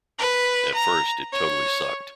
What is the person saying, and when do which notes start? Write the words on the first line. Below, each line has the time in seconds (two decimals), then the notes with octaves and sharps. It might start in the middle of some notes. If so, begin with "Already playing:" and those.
At first it totally sucked.
0.19 B4
0.74 A#5
1.32 C#5